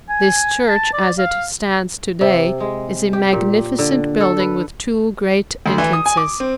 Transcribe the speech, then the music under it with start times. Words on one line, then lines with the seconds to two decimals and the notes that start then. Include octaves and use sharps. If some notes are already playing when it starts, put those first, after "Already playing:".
This church as it stands today is a magnificent building with two great entrances.
0.09 G#5
0.68 A5
0.93 D5
1.18 F5
2.21 C3
2.60 G#3
3.13 G4
3.33 A#2
3.79 D3
4.21 A4
4.39 B4
5.66 D2
5.78 E3
5.93 D#6
6.06 G#5
6.17 D6
6.40 C4